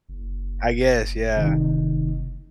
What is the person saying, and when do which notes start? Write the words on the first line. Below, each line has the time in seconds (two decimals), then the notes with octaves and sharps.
I guess. Yeah.
0.09 F#1
1.36 C3 D#3 D#4